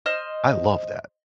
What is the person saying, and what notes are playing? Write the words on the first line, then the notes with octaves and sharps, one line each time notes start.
I love that.
C5 D#5 F6